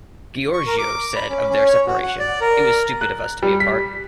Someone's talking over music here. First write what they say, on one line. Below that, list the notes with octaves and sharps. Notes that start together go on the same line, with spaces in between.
Gheorghiu said of their separation, It was stupid of us to be apart.
C#6
A#4
D6
B5
C#4
C#4
C#5
F#4
F#5
D5
A#4
F#6
G3
B6